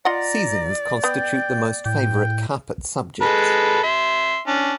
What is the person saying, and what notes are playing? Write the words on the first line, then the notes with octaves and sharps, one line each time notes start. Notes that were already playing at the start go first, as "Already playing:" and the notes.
Seasons constitute the most favorite carpet subjects.
F4 D5 D#5 F#5 A#5
B3 G5
A2 G5
G#3 A4 B4
E5 C6
C#4 D4